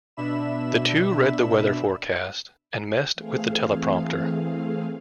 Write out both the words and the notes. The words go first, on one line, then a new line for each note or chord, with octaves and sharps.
The two read the weather forecast and messed with the teleprompter.
B2 D4 E5 B5 E7
E3 A3 C4 G#4 F5